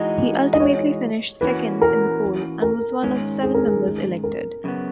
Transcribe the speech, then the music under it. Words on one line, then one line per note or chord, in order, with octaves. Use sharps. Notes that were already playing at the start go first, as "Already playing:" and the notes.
He ultimately finished second in the poll and was one of seven members elected.
Already playing: E3 G#3 D#4 F#4 D#5
D#5
C#5
E3 A#3 C#4 F#4 B4
A#4
A#4
G#2 D#3 G#3 C#4
G#4
A#4
G#4
A#4
F#2 C#3 B3